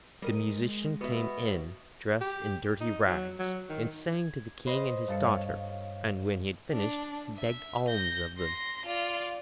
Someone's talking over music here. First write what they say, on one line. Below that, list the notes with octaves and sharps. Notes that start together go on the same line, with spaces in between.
The Musician came in, dressed in dirty rags, and sang to the King and his Daughter, and when he had finished, he begged alms of them.
G3 G#3 A#4 D#5 D#7
B2 B3 E5
G4
D#4
F#3
F#3
D#3
G#6
B4 C5 D#5
G2 A4 C#7
C#5 F5
D4
E5
G6 A#6
C6 A#6
F4 D5